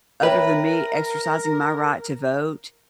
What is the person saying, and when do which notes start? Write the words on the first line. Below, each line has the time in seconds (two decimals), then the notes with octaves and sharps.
other than me exercising my right to vote
0.23 A#4 B4 C#5 E5 G5